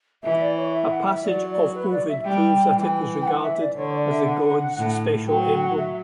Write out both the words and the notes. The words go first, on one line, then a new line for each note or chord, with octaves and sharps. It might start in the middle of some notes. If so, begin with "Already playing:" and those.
A passage of Ovid proves that it was regarded as the god's special emblem.
E3 E5
D5
C#5
E5
F#5
E5
F#3 D5
D5
B4
D5
E5
G3 G5
E3
G5
F#5
E5
D5
D3 C#5
D5
E5
F#5
A2
F#3 G5
G5
G5
F#5
E5